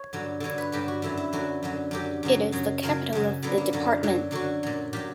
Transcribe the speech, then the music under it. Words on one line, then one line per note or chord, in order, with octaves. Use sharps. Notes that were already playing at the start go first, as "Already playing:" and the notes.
It is the capital of the department.
Already playing: C#5
G2 D3 F#3
G2 D3 F#3 C#5
B4
G2 D3 F#3 G4
F#4
F#2 D3 F#3 E4
E4
F#2 D3 F#3 F#4
F#2 D3 F#3
F#2 D3 F#3 G4
F#2 C#3 F#3
F#2 C#3 F#3
F#2 C#3 F#3 A#4
F#2 C#3 F#3
F#2 D3 F#3 B3
A#3
F#2 D3 F#3
F#2 D3 F#3
F#2 D3 F#3 F#4
A#2 F#3
A#2 F#3 G4